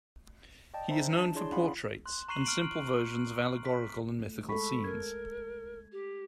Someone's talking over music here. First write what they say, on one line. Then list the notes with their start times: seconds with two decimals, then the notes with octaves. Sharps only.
He is known for portraits and simple versions of allegorical and mythical scenes.
0.74 D5 D#5 G5 A5
0.89 C5 E5 A#5
1.17 D4 A5
1.35 D4 E4 G#4 C#5 D5 C6
1.52 C#4 E4 F5 F#5 B5 C6
2.06 C6 F#6
2.28 A#5 C#6 F#6 C7 D#7 F#7
2.45 F6 D7 F#7
3.65 B6
4.20 A3
4.49 G#3 A4 B5 C#6 B6
4.84 A#4 G#6
5.92 G4